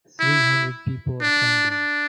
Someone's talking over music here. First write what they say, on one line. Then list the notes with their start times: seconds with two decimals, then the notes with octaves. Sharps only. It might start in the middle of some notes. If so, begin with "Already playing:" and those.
Three hundred people attended.
0.20 E4
1.21 D4
1.70 D4